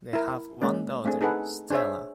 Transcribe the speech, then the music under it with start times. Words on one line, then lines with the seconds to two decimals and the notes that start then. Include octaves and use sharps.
They have one daughter, Stella.
0.13 E4 A#4
0.62 G#3 A#3 C#4
1.05 A3 C4 D4 G#4
1.21 D#4 G#4 A4 B4 F#5
1.70 D4 G#4 C5 C#5 E5